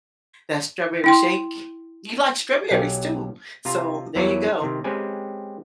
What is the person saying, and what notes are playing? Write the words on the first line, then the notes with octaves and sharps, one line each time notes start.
That strawberry shake. You like strawberries too, so there you go.
E4 G5 C6
B1 F#3 G4 F5 F#5 G#5
C3 F4 A#5
E2 F#3 E4 A#4 C#5 A#5
C3 D#3
G#3 C4 C#4 G4 B4 G#5